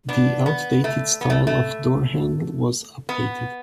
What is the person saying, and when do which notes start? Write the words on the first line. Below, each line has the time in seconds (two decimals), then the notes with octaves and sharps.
The outdated style of door handle was updated.
0.09 B3 D4
0.46 B3
0.84 A3
1.21 B3
1.30 A3
1.47 A3
3.09 B3